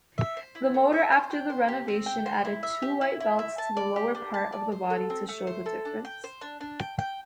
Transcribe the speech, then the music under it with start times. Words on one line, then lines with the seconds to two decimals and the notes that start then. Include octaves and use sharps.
The motor after the renovation added two white belts to the lower part of the body to show the difference.
0.18 E5
0.37 C5
0.55 E4
0.74 A3
0.92 E5
1.12 C5
1.30 G5
1.50 C5
1.68 G4
1.88 C4
2.06 G5
2.26 C5
2.45 E4
2.63 E5
2.82 G4
3.01 E4
3.20 E4
3.39 E5
3.58 A5
3.77 D5
3.96 G4
4.15 D4
4.34 A5
4.52 D5
4.72 C5
4.90 A4
5.10 C4
5.29 A3
5.47 C5
5.66 A4
5.85 D4
6.05 G5
6.24 C5
6.41 D4
6.61 D4
6.80 G5
6.99 G5